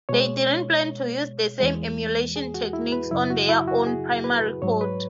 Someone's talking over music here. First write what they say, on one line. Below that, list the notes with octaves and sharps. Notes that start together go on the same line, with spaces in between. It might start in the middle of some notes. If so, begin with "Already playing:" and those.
They didn't plan to use the same emulation techniques on their own primary code.
B2 G#3 C#5
E2 E3 G#3
G#4
F#4
E4
B4
F#2 C#3 F#3 E4
F#4
E4
F#4
G#4
B4
G#2 F#3 C#5
B4